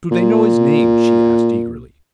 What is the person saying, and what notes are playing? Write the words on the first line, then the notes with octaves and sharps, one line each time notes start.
"Do they know his name?" she asked eagerly.
A#2